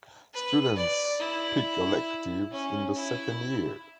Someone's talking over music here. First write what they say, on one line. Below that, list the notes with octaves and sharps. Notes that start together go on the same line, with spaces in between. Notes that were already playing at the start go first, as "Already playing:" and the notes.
Students pick electives in the second year.
B4
D5
E4
C#4
E4